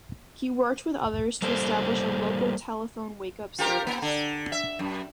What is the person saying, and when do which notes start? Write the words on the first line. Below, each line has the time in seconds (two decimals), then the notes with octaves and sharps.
He worked with others to establish a local telephone wake-up service.
1.42 G3 A#3 A4 A#4 C5
3.59 F4 G4 A#4
3.87 A#3
4.02 D3
4.52 E5
4.79 F#2